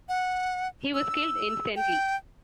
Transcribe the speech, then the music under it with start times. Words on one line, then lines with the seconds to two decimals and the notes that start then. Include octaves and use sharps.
He was killed instantly.
0.09 F#5
0.94 E6
1.76 G5